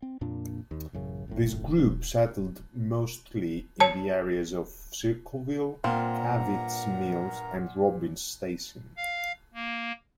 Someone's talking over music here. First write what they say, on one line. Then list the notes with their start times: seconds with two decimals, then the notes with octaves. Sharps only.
This group settled mostly in the areas of Circleville, Cavitt's Mills and Robbin's Station.
0.02 C4
0.21 F2 A#2 A#3 D4
0.71 D#2
0.93 A1 F#2 C#3
1.28 G#1 F#2 A2
1.77 C2 E3 F#3 D4
3.80 C#5 A5
5.84 G2 A#2 C4 F4 A#4 F#5 A#5
8.97 F5
9.54 A#3